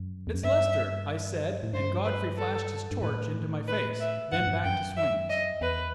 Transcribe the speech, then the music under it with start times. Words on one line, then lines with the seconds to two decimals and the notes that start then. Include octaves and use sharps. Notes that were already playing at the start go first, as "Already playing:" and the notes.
"It's Lester," I said, and Godfrey flashed his torch into my face, then back to Swain's.
Already playing: F#2
0.27 E2
0.34 F#2
0.44 G2 E5
1.63 A2
1.73 G2 C5
2.05 B4
2.38 A4
2.91 G2
3.02 A2 B4
3.68 B4
4.00 E5
4.32 G2 F#5
4.40 A2
4.47 G2
4.64 F#2 G5
4.97 E5
5.30 D#5
5.61 E2 B4